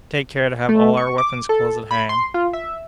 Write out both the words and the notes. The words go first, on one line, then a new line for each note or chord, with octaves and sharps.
Take care to have all our weapons close at hand.
A3
C#6
D6
A4
B5
C6
F4
E5